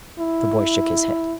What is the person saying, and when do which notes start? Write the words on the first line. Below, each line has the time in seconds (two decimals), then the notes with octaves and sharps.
The boy shook his head.
0.19 E4